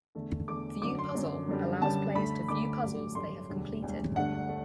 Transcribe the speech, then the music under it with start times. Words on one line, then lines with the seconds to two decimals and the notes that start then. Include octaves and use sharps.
"View Puzzle" allows players to view puzzles they have completed.
0.15 E2 D3 A3
0.48 E2 D3 A3 D6
0.81 F#2 D3 F#3 D6
0.99 C6
1.15 F#2 D3 F#3
1.48 F#2 D3 G3
1.81 F#2 D3 G3 A5
2.14 D2 D3 A3 B5
2.48 D2 D3 A3 D6
2.82 A1 G2 F#3 A3
3.15 A1 G2 F#3 A3 C6
3.49 E1 D2 D3 G3
3.82 E1 D2 D3 G3
4.15 G1 G2 D3 A3 F#5
4.49 A3